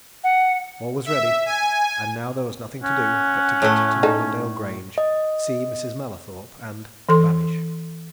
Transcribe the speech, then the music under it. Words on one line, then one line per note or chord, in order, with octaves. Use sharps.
All was ready--and now there was nothing to do but to get to Normandale Grange, see Mrs. Mallathorpe, and--vanish.
F#5
E5
G#5
C#4 F#5
A2 A3
D#4 A4
D#5
E3 A4 C6